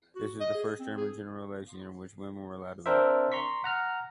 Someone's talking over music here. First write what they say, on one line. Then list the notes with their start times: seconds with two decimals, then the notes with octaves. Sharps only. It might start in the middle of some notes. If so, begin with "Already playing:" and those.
This was the first German general election in which women were allowed to vote.
0.16 F#4
0.40 D#5
0.55 G#4
0.80 C4
0.97 G#4
2.86 C4 D4 A#4 C5 E5
3.32 A#5 C6 C#6 B6
3.64 F#5 A#5 F6